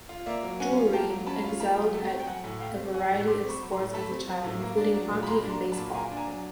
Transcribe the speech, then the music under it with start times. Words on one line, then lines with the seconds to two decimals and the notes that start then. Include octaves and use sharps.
Drury excelled at a variety of sports as a child, including hockey and baseball.
0.09 F4
0.26 A#3 D5 E5
0.43 F#3
0.60 C#4 F#5 G#5
0.77 F4
0.93 A#3 G5 A5
1.10 F#3
1.26 C#4 A5 B5
1.44 F4
1.60 A#3 A5 B5
1.77 F#3
1.94 A3
2.10 C4
2.20 G5
2.27 F#3 F#5 G#5
2.44 A2
2.60 A3 F5 G5
2.77 C4
2.94 F#3 F#5 G#5
3.11 A2
3.27 A3 C6 D6
3.43 C4
3.49 B5 C#6
3.60 F#3
3.71 A#5 C6
3.77 A2
3.94 A3 A5 B5
4.11 C4
4.27 F#3
4.44 A2
4.60 A#3
4.78 D4
4.94 F#3
5.11 A#2
5.23 B5
5.28 A#3 A#5 C6
5.44 D4
5.50 A#5 C6
5.60 F#3
5.72 A5 B5
5.78 A#2
5.94 A#3 G#5 A#5
6.12 D4
6.17 G#5 A#5
6.28 F#3